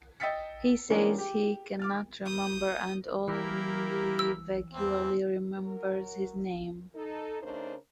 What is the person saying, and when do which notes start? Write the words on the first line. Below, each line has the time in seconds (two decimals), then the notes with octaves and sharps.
He says he cannot remember and only vaguely remembers his name.
0.20 D#5 G5 E6 A6 B6 C#7
0.90 E3 G3 G#3 A#3 C#4 D4
1.18 G4
1.79 D6 F6 A6
2.25 D#6 G6
3.28 E3 A#3 E4 G4 A#4
4.19 E6
4.72 E2 C4
5.58 F#3 A#4
6.95 D#4 A4
7.42 C#3 A3 D4 D#4 A#4 C5